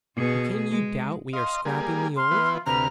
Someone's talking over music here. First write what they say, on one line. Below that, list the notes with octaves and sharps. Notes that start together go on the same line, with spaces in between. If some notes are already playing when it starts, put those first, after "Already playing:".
"But can you doubt we are scrapping the old?..."
B2 G#4
G#3
D#5 F5 C6
G3 A#3 G#4 A#5
C6 F6
E3 B3
F4
D2 C3 B4 A#5 F6